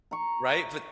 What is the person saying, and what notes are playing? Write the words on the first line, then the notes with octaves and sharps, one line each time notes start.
Right, but
A#5 C#6